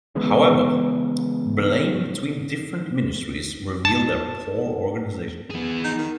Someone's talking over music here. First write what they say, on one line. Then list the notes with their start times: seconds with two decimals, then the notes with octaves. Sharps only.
However, blame between different ministries reveals their poor organization.
0.15 C#3 E3 G#3 B3
3.85 A5
5.50 B3 G#4
5.84 D#4
5.98 D#3